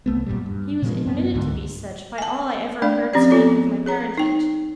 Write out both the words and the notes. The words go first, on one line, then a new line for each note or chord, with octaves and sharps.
He was admitted to be such by all I ever heard speak of my parentage.
C2 A3 B3
F#1 F#2 A#2 G3
G2
A#2 C#3 F3 G#3
F#2 B3
C#2 G#2 D3
G#5 A5
A3 D4 D5 F5
F3 C4 C#4 G4 D5
A#3 B3 F4 A4 C#5
G#4 C#5 A#5
D#4 G5